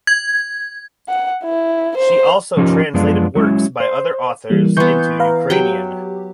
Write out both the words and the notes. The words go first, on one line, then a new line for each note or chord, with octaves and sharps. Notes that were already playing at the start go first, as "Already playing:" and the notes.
She also translated works by other authors into Ukrainian.
G#6
F#5
E4
C5
F3 C#4 D#4 F4 G4 A#4
F#2 F3 G#3 B3 D4 F4
F#3 G#3 C#4 E4
C5
E3 G3 A#3
E3 B3 C6 C#6 G6
B4 F5 A#5
F#3 G4 G5